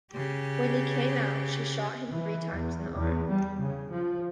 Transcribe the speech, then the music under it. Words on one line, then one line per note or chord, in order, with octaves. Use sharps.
When he came out, she shot him three times in the arm.
C#3 G4
E3
E2
E2
G3
C#3
F3